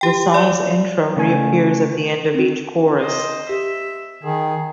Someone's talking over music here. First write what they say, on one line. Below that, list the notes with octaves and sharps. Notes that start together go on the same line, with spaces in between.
The song's intro reappears at the end of each chorus.
G4 G5
D5
C#3 A3 G#5
C4 F#4
C5 D#5
G4 E5
D#3 G#4